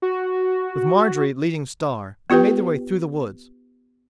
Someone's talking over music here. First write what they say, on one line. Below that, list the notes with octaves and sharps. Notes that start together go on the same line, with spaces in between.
With Marjorie leading Star, they made their way through the woods.
F#4
B3 F4 G4 B4 G5